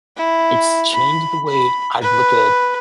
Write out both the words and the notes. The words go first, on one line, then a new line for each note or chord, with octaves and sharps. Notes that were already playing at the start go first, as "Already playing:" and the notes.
it's changed the way I'd look at
E4
B5
B5
B4